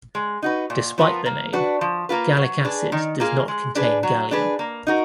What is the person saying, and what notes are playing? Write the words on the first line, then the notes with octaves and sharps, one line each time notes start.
Despite the name, gallic acid does not contain gallium.
G#3
D#4 F#4 B4
A#2
F3 B3 F4 A#4
A#3
D4 F#4 B4
F3
A#3 F4 B4
F#3
D4 G#4 B4
D#3
A#3 F4 G#4
G#3
D4 G#4 B4
F#3
D4 G#4 B4
A#3
D#4 F#4 A#4